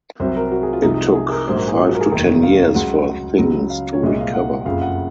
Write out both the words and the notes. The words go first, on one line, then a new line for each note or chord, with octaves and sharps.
It took five to ten years for things to recover.
C2 C3 F#3 C5
A#4
F#4
G#4
F4
C2 C3 F3 G#3 D#4
D#4
G#4
A#4
A#1 G#2 F#3 C5
A#4
G#4
F4
F#4
A#4
G#4
F1 D#2 D#3 F#3 A#4
F5
C#2 C#3 F#3 F#5
C#2 C#3 F#3
F5
C#5
C2 A#2 G#3 D#5
F5
F#5
F#1 F2 C#3 F3 F5
F#5